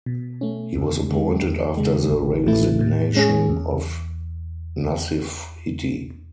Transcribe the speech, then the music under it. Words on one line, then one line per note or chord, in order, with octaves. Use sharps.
He was appointed after the resignation of Nassif Hitti.
B2
A3 C#4
E2
D3 G#3
E2
C#3 G#3
A1
A2 E3 A3 E4
A2
G#3 C#4 G#4
E2